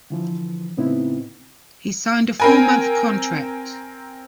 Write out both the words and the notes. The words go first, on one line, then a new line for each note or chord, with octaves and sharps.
He signed a four-month contract.
D3 E3 F3
A2 C#3 B3 C4 D#4 E4
C4 A#4 G#5